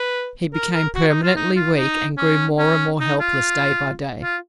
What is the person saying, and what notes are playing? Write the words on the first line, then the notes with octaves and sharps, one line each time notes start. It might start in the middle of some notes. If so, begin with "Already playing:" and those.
He became permanently weak and grew more and more helpless day by day.
Already playing: B4
A#4
A#4
F#4
D#4
F4
D#4
F4
D#4
C#4
C#4
D#4
F4
F4